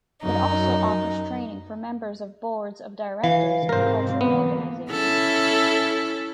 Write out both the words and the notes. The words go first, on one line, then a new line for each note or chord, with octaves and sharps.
It also offers training for members of Boards of Directors of cultural organisations.
F#2 D#4
E3 F5
G#2 C3 C4 A#4 C5
D3 E3 A#3 B3
C#4 E4 A4